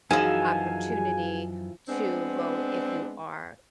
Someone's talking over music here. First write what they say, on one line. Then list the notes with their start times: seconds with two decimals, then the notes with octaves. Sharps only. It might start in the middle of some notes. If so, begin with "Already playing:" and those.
opportunity to vote if you are,
0.11 F#2 E3 F3 D#4 F#4 G#4 F5 G#5
1.89 G#3 B3 C4 D4